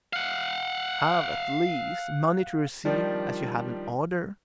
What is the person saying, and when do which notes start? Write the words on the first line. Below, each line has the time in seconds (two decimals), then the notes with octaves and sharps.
"You have, at least, money to receive, as you have an order?"
0.13 F5 F#5
2.85 D#3 F3 G3 D4